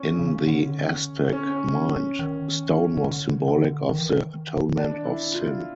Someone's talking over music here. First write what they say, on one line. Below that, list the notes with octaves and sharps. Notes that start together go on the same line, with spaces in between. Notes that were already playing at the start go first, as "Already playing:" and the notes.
In the Aztec mind, stone was symbolic of the atonement of sin.
Already playing: C#4
C#3
D3
C#4
D#3
D3
D3
D#3
E3
D#3
D4
E4
F4